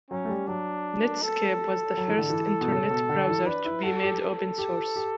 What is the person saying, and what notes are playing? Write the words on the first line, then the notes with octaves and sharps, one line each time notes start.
Netscape was the first internet browser to be made open source.
F#3 C#4
A3
G3
F#3 D4
A4
F#3
E3
D3
E3
B2
C#3
B2
D3
E3
D4 B4
E4
F#4 A4
G4
A4
G4
G4